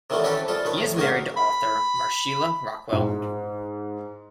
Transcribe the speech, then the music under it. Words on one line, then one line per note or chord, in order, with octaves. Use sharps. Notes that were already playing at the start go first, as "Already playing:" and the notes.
He is married to author Marsheila Rockwell.
C3 D#3 E3 F#3 G3 A3
C4 C#4 G4 A4 B4
F3 G3 F4 A4
D#3 B4 C#5
A2
C#2 G#2 D#3 A#3 F#4 A#4
B5
G#2